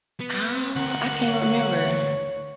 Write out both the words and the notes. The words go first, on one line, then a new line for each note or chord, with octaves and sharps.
Oh, I can't remember.
B3
D2 A#4 F#5
C#5